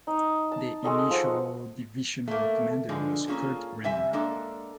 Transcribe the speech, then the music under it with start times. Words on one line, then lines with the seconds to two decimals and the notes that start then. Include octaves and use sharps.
The initial divisional commander was Kurt Renner.
0.07 D#4
0.52 A5
0.84 G#3 F#4 A4 D#5
1.10 F3 F#5
2.28 A3 A#3
2.89 B2 D3 F3 G#3
3.27 A#3 C#4 F4 G#4 A4
3.84 C3 G3 E5 G#5
4.13 G#3 A#3 D4 A4